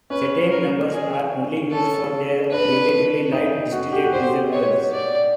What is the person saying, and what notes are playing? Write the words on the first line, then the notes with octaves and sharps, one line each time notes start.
Cetane numbers are only used for the relatively light distillate diesel oils.
C#4 B4
A#4
G#4
C#4 A4
D4 B4
D#4
F#4
G4
F#4
G4 C5
C#5
D5